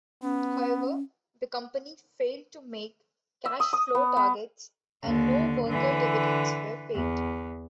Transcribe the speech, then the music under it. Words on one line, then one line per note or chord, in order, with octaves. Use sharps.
However, the company failed to make cash-flow targets, and no worker dividends were paid.
B3 C#4
E5
D#6
D#6
B3
B3
D#2 D3
D3 E3
E2